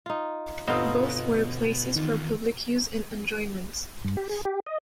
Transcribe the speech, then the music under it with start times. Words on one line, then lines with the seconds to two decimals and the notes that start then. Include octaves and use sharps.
Both were places for public use and enjoyment.
0.06 D#4 F4
0.68 G1 B2 B3 C4 D#4 F4 C5 D#5
1.96 E2 D#3 F4
4.04 G2
4.17 G4
4.29 G#4
4.45 G4
4.67 D#5